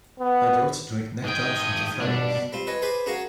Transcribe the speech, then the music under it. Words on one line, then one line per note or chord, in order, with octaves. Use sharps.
Adults drink nectar from the flowers.
B3
G#2 G5 D#6 G6 G#6
G2 B2 D4 D5
G3 C4 F4
B4 C#5 D#5 G#5
G#4 B4 C5 D5 G#5 B5
C#4 F#4 G#4 A#4 C#5 F5